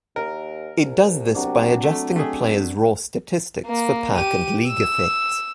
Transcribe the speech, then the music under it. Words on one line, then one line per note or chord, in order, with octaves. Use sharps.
It does this by adjusting a player's raw statistics for park and league effects.
D#2 A#4
C2
C3 F#3 D4
A3
A3 G4 G#4
A#3
G4 D#7
E6